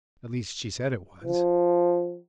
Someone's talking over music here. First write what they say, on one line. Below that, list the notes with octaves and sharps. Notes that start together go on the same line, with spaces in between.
At least she said it was.
F3